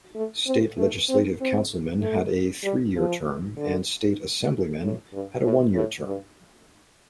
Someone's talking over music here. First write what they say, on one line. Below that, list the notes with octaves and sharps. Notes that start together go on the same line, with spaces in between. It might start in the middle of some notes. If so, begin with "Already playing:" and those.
State Legislative Councilmen had a three-year term and State Assemblymen had a one-year term.
A3
C4
A3
C4
C4
A3
G3
F3
D3
A2
G2
A2
A2
G2